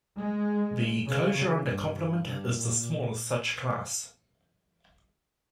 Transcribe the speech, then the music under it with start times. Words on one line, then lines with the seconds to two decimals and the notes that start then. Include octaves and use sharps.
The closure under complement is the smallest such class.
0.18 G#3
1.06 C#3
1.35 C#3
1.65 G2
2.23 G2
2.52 A#2